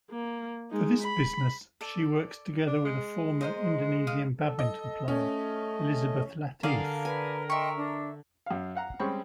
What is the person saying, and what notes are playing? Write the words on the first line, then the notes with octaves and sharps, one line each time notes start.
For this business, she works together with a former Indonesian badminton player, Elizabeth Latief.
A#3
G#3 D#4
B5
A4 D5
D4
G#3
D#4 C5 D#5
F5 D#6
A4
D#5
A3 C#4 D#5
D3 G#4 A#4 D5 F5
B4 G#5
D#5 E5 G5 C6 C#6
D4
F#2 F5
F5 F#5 A#5
G3 G#3 C4 C#4 B5 C#6